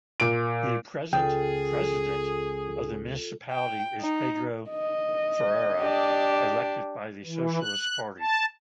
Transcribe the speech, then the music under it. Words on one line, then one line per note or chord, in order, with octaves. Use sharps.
The present "president" of the municipality is Pedro Ferreira, elected by the Socialist Party.
A#2 D7
C#2 F4 G#4 A4 G5
G5
D#4
D#5
D4 G4
E3
F#6
A5